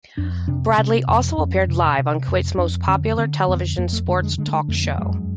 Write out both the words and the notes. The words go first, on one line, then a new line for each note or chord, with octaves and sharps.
Bradley also appeared live on Kuwait's most popular television sports talk show.
F2 D4
C3 D4
C3 C#4
F2
F2 C#4
C3
C3
F2
F2 D4
D3 C#4
D3 C4
F2 B3
F2 A#3
A3
D3 G#3
G#3
D3 G#3
A3
G#3
F2 A3
A#3
F#2 G#3